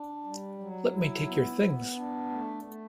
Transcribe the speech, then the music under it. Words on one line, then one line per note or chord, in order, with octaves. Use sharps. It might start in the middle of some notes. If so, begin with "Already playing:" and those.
Let me take your things.
Already playing: D4
G3
F#3
E4
B3
B3
D4
A3
A3